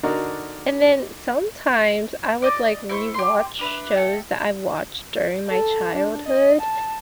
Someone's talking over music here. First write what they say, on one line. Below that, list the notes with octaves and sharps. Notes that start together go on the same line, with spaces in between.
and then sometimes, I would, like, rewatch shows that I watched during my childhood,
D3 D4 D#4 F#4 A#4
D5 D#5
E4 C5 C#6
G4 C6
D4 B4 E5
A4 E5 G5
A4
D4
D#5
A5